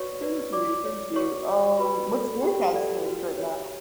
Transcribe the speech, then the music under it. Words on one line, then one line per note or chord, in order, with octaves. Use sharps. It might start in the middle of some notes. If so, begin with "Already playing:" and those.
Thank you, thank you. Um, what's your cats' names right now?
Already playing: F#4 B4 C#5 D5 C#6
B4 D5
F#4 D5 D6
C#5
F#4 C#5 C#6
C#5
F#4 B4 B5
A4 D5
F#4 G4 G5
A4 D5
F#4
C#5